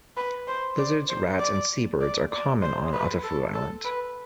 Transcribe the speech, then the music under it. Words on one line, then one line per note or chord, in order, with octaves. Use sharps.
Lizards, rats, and seabirds are common on Atafu island.
B4
C5
D5
C5
D5
D5
D5
C5
B4
A4
A4
B4